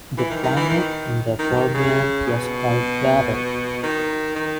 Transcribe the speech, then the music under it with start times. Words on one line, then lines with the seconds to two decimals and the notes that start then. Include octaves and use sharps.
The climate in the Permian was quite varied.
0.18 E3
0.30 D#3
0.43 D#3
0.56 E3
0.70 D#3
1.39 D#3
1.57 D#3
1.74 C#3
2.27 B2
3.83 D#3
4.36 D#3